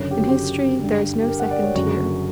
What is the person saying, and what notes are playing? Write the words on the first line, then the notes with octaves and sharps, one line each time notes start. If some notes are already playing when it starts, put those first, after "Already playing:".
In history there is no second tier.
Already playing: F#1 F#2 D3 C#5
G4
F#4
G4
G2 D3 G3
G4
A#4
F#5
D5
C#5
F#1 F#2 D3 F#4